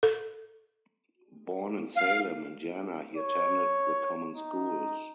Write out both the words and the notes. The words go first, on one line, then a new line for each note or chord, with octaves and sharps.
Born in Salem, Indiana, he attended the common schools.
A4
F5
C#5
D#4